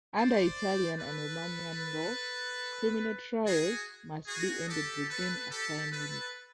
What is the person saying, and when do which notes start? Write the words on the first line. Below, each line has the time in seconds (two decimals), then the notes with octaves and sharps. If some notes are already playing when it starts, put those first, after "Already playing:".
Under Italian and Romanian law, criminal trials must be ended within a time limit.
0.17 C5 D5
0.99 A4 B4
3.45 F#4 G#4
4.27 F#4 G#4
4.69 G4 A4
5.09 A4 B4
5.50 G4 A4
5.91 A4 B4